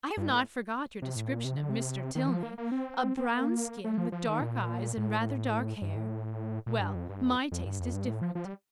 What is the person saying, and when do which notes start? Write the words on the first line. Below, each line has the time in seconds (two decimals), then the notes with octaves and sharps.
I have not forgot your description of Mr. Tilney: 'a brown skin, with dark eyes, and rather dark hair.' Well, my taste is different.
0.17 G2
0.31 A2
1.02 C3
1.16 A2
1.30 A#2
1.45 C3
1.56 D3
1.69 C3
2.15 D#3
2.28 F3
2.43 A#3
2.58 A#3
2.72 C4
3.17 C4
3.27 A#3
3.84 A3
3.98 F3
4.12 F3
4.27 D#3
4.41 A#2
4.97 A2
5.82 G2
5.96 A2
6.66 A#2
6.80 G2
6.95 F2
7.09 G2
7.23 F2
7.52 F2
7.66 G2
7.79 F2
7.94 G2
8.07 A2
8.22 F3
8.35 F3
8.45 G3